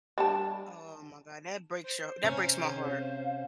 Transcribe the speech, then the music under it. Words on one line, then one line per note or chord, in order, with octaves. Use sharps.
Oh, my god, that breaks your that breaks my heart.
G3 D4 A5
C5
C3 C#4 A#5
G#4
F5